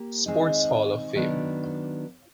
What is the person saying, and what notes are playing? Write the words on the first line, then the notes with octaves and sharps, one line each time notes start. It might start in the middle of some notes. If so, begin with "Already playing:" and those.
Sports Hall of Fame.
Already playing: A#3 G4
D#3 G#3 C4 D#4
D#3 F#3 B3 D4